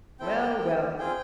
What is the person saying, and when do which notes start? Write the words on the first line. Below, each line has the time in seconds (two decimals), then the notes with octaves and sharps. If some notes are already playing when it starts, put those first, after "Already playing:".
Well, well!
0.19 C4 E4 A4 G5
0.58 A#3 C#4 E4
0.98 C4 F4 G#4 G5